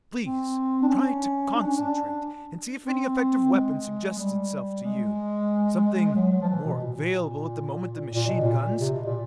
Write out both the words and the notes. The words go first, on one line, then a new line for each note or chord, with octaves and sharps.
"Please try to concentrate, and see if any effective weapon suggests itself to you--something more available at the moment than machine-guns."
C4
D4
C#4
D4
C#4
D4
C4
G#3
G3
G#3
F#3
F#3
F3
E3
B2
A#2
A#2
B2
A#2
C3
B2
A#2